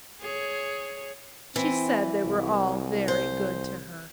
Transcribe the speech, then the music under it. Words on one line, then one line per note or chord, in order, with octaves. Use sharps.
She said they were all very good to her.
G#4 C#5
E3 C4
C2
C5